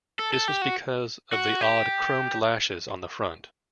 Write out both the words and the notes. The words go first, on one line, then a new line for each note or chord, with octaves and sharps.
This was because of the odd chromed "lashes" on the front.
A4
A4
G4
F#4
F#4
G4